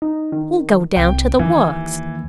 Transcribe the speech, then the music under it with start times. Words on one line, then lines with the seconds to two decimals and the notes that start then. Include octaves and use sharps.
We'll go down to the Works.
0.02 D#4
0.32 D#3
0.96 C2 G5
1.39 D#2 E3